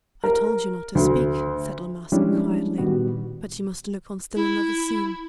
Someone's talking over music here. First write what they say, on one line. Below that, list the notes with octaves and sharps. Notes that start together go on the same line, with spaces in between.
"I told you not to speak," said La Masque, quietly, "but you must look on still another scene."
A#4
D2
F3 G3 G#3 C#4 D4 E4
A#2 D#3 G3 B3 F#4
E4